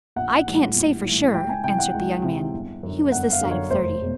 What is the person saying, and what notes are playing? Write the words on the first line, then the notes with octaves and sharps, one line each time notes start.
"I can't say for sure," answered the young man--he was this side of thirty.
A#1 F#5
A2 E3 G3
A#1
A2 E3 G3
C#2 G5
G#5
C3 E3 G5
F#5
C#2
C3 E3
G1
F#2 D3
G1 F#5
F5
F#2 D3
C#5
F1 C5
B2 G#3